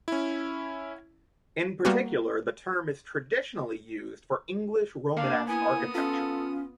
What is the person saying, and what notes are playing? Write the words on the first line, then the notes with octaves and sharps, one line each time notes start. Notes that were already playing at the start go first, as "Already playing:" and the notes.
In particular the term is traditionally used for English Romanesque architecture.
C#4 E4
G3 A#3 B3 F#4
A#3 D4 F5
B3 E4 G#5 D#6
C#4 F4 A4